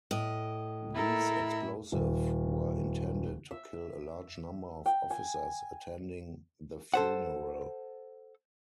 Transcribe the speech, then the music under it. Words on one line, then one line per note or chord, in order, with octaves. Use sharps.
These explosives were intended to kill a large number of officers attending the funeral.
A2 D#5
E4 A4 A#4
D#1
E5
G5
G#5
A4 C5 F#5